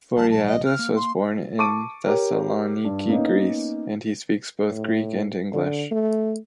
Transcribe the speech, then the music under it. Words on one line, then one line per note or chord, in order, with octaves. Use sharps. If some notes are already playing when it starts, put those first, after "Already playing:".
Voreadis was born in Thessaloniki, Greece, and he speaks both Greek and English.
A#1 G3 A5
A5
D#5
F6
A#3
C6
A5 C#6 D6 D7 D#7
G4 A#4 C#5
G2
A#3 B3 C#4 D#4
A2
D3
A3